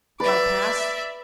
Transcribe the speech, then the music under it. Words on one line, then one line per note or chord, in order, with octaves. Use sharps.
"Got a pass?"
B4 D5 E5